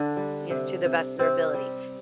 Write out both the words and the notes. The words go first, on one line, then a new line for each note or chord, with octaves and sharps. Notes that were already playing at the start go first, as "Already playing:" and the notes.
you know, to the best of their ability.
Already playing: D3 D4
G3
C3
C3
C3 C4
G3